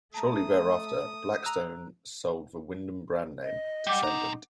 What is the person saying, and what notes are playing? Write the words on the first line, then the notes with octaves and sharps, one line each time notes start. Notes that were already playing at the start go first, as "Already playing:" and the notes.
Shortly thereafter, Blackstone sold the Wyndham brand name to Cendant.
A3 A5 A#5 D#6
A#5 E6 F#6
D#5
G3 F#5 D6 G6
C4 D#4 A#5